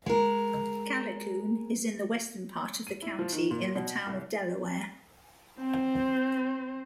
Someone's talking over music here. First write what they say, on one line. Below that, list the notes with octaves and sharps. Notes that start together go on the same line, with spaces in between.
Callicoon is in the western part of the county in the Town of Delaware.
G#3 A#4
D#7
E4
F3
D#3
A#2
B2
C2
C4 C5